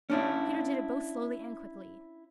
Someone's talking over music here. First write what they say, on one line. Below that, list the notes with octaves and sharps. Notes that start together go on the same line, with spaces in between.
Peter did it both slowly and quickly.
C#4 D4 E4